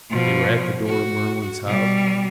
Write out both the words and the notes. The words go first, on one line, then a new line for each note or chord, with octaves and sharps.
They were at the door of Merwin's house.
B2 F3
F#4
B2 G3